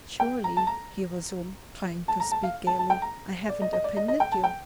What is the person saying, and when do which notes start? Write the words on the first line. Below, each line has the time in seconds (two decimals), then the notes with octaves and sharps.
"Surely," he resumed, trying to speak gayly, "I haven't offended you?"
0.20 G5
0.44 A#5
0.57 A5
0.67 A#5
2.08 A5
2.20 A#5
2.31 A5
2.43 F5
2.67 A5
2.79 A5
2.90 G5
3.02 A#5
3.49 D5
3.62 D#5
3.73 D#5
3.84 D5
3.97 D#5
4.08 D#5
4.20 G5
4.32 A5
4.44 G5